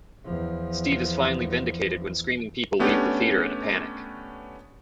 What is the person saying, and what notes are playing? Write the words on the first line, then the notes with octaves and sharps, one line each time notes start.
Steve is finally vindicated when screaming people leave the theater in a panic.
E2 F3
A3 B3 C#4 D4 G4